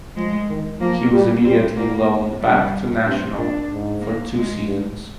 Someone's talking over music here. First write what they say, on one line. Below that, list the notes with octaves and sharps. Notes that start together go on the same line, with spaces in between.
He was immediately loaned back to Nacional for two seasons.
F3 G#3
D#3
F3 A#3
G3
G3 C4
A#2 A#3
G#2
G2 G3
G2 C4
A#2 D4
G#2
A#3
G#3
G2